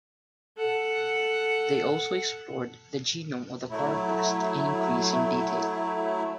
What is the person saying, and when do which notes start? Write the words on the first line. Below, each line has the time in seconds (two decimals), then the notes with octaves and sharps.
They also explored the genome of the chloroplast in increasing detail.
0.57 A4 F#5
3.70 F#3 A3 E4